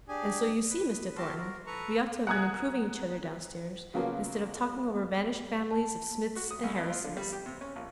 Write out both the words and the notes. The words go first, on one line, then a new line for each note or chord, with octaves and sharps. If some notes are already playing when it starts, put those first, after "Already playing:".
'And so you see, Mr. Thornton, we ought to have been improving each other down-stairs, instead of talking over vanished families of Smiths and Harrisons.
D4 G4 G#4 G#5
B4
F#4 G4 A4 A#4 A5 C6
F#4 A#4
A4 B4 A#5 C#6
F#5 G#5 A#5 D#6 F#6 G#6
C#3 F3 F#3 A#3 B3
A5
F#4
D#6
C2
F2
F4
D3
G3
G4
C3
C#4
A#1